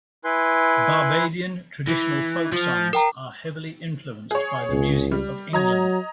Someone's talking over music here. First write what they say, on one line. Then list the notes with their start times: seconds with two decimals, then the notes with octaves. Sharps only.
Barbadian traditional folk songs are heavily influenced by the music of England.
0.24 E4 B4 G#5 C6
1.88 E3
2.53 F3
2.93 A#4 G5 A#5
4.31 G#4 C#5
4.71 C#2
5.12 G3
5.53 F#3 D#5 A#5 G#6